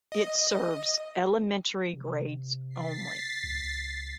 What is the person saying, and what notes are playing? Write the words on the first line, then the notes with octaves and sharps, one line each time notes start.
It serves elementary grades only.
D#5
C3
A6 B6 C7
C#2